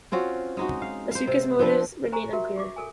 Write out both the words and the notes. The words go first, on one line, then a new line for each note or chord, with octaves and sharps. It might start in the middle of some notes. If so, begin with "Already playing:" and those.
Matuska's motives remain unclear.
C4 C#4 F4 F#4
G#3 D#4 F#4
F5
C5 F5
C3
F3 C4 D4 B4
C5 G#5 A#5 C#6
F#4 G4 A#4 E5
G#4 C#6 D6
A4 A#4 G#5